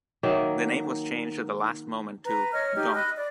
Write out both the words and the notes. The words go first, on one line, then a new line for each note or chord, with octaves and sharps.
The name was changed at the last moment to "Donk".
D#3 F#3 A#3 E5
B4 A#5
C#5 D#5 F6
D#4 G4 F6
D#5 B5 F#6
D5